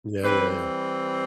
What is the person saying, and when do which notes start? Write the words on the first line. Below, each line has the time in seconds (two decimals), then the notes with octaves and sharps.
Yeah, yeah, yeah.
0.22 E3 G3 C4 B4